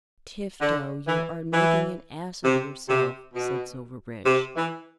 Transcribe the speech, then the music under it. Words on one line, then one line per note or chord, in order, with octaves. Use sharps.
"Tifto, you are making an ass of yourself," said Silverbridge.
D3
E3
E3
C3
C3
B2
C3
E3